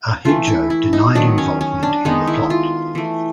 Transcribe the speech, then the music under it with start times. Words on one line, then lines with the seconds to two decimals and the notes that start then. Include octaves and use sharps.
Ahidjo denied involvement in the plot.
0.25 E3 A3 F4
0.47 E4
0.70 E4
0.93 D#4
1.15 D#3 F#3 B3 D4
1.38 C#4
1.61 C#4
1.83 D4
2.05 D#3 G#3 B3 D#4
2.27 E4
2.50 F4
2.95 E3 A3